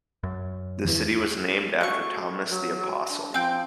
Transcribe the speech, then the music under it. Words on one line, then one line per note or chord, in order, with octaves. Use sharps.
The city was named after Thomas the Apostle.
F#2
E2 E3
A3 F#4 C#6
F#3
D4
F3 C4 G5